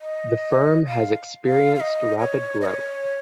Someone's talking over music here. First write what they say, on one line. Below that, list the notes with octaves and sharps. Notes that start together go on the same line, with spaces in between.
The firm has experienced rapid growth.
D#5
F5
F5
F5
D#5
C#5
D#5
C#5